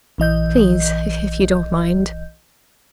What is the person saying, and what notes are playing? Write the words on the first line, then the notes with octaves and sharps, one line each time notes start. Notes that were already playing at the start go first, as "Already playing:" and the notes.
"Please--if you don't mind."
A#1 E3 D#5 G6